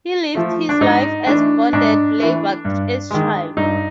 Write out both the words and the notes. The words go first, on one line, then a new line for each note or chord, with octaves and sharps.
He lived his life as bonded labour as child.
F3 A3
D4
G#2 D#4
E3 A3 D4
G#2 D4
E3 A3
G2
D#3 G#3
G2 D#4